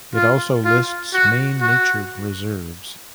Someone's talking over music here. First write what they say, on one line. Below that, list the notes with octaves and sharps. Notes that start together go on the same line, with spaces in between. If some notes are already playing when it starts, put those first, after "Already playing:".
It also lists main nature reserves.
F4
F4
F#4
F#4